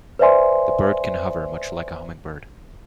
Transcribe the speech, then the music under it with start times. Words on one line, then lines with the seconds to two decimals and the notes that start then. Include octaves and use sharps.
The bird can hover, much like a hummingbird.
0.19 B4 C5 D5 E5 G#5 C6